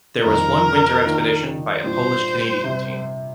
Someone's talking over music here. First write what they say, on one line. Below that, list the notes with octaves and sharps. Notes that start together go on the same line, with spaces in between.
There was one winter expedition by a Polish-Canadian team.
F2 D#3 G3 C4 F4 A#4
D#3 A#3 D4 F4
A#2 G3 D4 F4 C5
C3 G3 C4